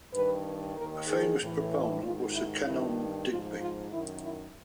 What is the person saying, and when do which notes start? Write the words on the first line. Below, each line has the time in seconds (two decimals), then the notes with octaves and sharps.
A famous proponent was Sir Kenelm Digby.
0.13 G2 D#3 B4
0.76 D#2 D#3 A#4
1.08 G#4
1.39 A2 E3
2.02 G#2 D#3 F4
2.34 E4
2.65 G2 D#3 E4
3.28 G#2 F3 F4
3.59 F4
3.91 F#2 D#3 E4
4.22 E4